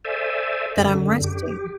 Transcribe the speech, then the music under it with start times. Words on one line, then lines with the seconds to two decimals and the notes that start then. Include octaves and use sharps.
that I'm resting.
0.05 A4 C5 D5 E5 G#5
0.77 F#2 D3
1.24 G4